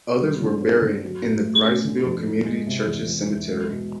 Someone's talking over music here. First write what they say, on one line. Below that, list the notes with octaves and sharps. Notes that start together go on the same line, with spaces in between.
Others were buried in the Briceville Community Church's cemetery.
G3
D3
C4
D3
F#3
A2
A3
C#4
D3
F2
F3
G#3
C3
E2
E3
E2
G#3
B2